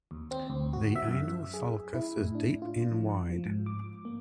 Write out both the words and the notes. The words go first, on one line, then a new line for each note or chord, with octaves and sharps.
The anal sulcus is deep and wide.
D#2
C4
D2
F#4
E5
F#2
G#4
E4
A2
D4
F4
F3
F3
G#2
D6
A#3